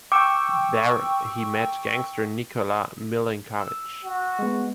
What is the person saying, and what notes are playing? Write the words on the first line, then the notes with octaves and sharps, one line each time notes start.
There he met gangster Nikola Milinkovich.
G5 C#6 D6 E6
E6
F#4
G#3 B3